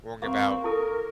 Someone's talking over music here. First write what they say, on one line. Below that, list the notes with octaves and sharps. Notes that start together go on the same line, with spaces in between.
worrying about,
A#3 C4 C#6
E4 A4 A#4